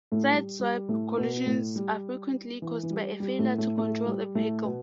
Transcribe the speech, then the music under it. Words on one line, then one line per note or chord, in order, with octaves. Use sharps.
Sideswipe collisions are frequently caused by a failure to control a vehicle.
A2 A3
G3
G3
A2 A3
B2 B3
A2 A3
G3
E3
E3
G3
G3
A2 A3
A2 A3
A2 A3
G3
A2 A3
B2 B3